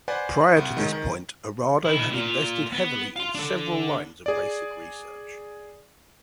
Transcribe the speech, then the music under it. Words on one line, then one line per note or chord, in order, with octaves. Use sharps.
Prior to this point, Arado had invested heavily in several lines of basic research.
B4 C5 D5 F#5 G#5
C2
D#3 F#3 G#3
D#3
D#3 E4
A#2 F4
B3
F5 C6
D4 A4
G#4 D5